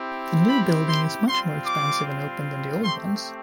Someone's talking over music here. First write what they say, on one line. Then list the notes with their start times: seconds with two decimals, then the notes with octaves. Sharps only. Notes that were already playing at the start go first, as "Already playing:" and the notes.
The new building is much more expansive and open than the old ones.
Already playing: C4 E4 G4
0.49 B5
0.88 C6
1.27 G3 C4 F4 C6
1.66 D6
2.83 A3 C4 G4 C6